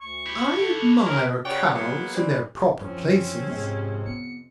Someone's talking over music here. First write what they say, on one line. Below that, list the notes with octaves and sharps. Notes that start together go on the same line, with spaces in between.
I admire cows in their proper places.
D2 C#6
E4 G4
A4
D2 A#4 C#5
C#3 C#4 F#4 C#5 D5 G5
F#3 G#3 A#3 B3
E3 G3 C4
F#2 E3 F3 C4 C#4
F2 G#2 C3 G#3
B3 C#7